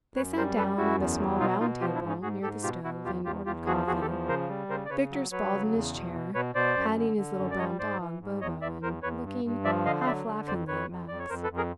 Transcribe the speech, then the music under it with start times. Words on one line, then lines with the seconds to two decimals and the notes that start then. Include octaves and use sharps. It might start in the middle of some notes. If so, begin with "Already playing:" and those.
They sat down at a small round table near the stove and ordered coffee. Victor sprawled in his chair, patting his little brown dog Bobo and looking, half laughingly, at Max.
0.16 F#2 B4 C#5
0.37 G3 A#4 C5
0.57 F#2 A4 B4
0.77 F#2 E4 F#4
0.98 E2
1.19 F#3
1.39 B2 D#4 F4
1.60 B2 D#4 F4
1.81 F3 F4 G4
1.95 D4 E4
2.01 G#2
2.08 C#4 D#4
2.22 G#2 F#4 G#4
2.43 G#2 G4 A4
2.63 B2 F4 G4
2.84 B2 E4 F#4
3.05 E2 F4 G4
3.25 E2 F4 G4
3.46 E2 F4 G4
3.66 F3 F#4 G#4
3.87 E2 F#4 G#4
4.01 G4 A4
4.08 F3
4.28 C#3 A#4 C5
4.49 G3
4.69 C#3 A#4 C5
4.85 D5
4.90 C#3 B4 C#5
5.11 F#3
5.31 F#3 B4 C#5
5.52 C#3
5.73 E2
5.93 B2
6.14 B2
6.34 B2 B4 C#5
6.55 B2 C5 D5
6.76 F#2
6.97 D3
7.17 D3
7.38 F#2
7.51 D5
7.58 G3 C#5 D#5
7.79 G#2 C5 D5
8.00 E3
8.21 G#2
8.41 E2 C#5 D#5
8.62 E2 D5 E5
8.82 E2 A#4 C5
9.03 E2 B4 C#5
9.23 G2
9.44 G2
9.65 F3 D5 E5
9.85 D3 D#5 F5
10.01 F5
10.06 F#3 D5 E5
10.27 D3
10.47 F2 C5 D5
10.68 F2 B4 C#5
10.89 F2
11.08 F2 D5
11.19 C#5
11.30 F2 A#4 C5
11.44 A4 B4
11.51 F2
11.57 G#4 A#4